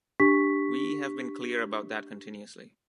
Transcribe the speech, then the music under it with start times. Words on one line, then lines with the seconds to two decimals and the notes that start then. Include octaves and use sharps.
We have been clear about that continuously.
0.20 D4 G4 C#6 B6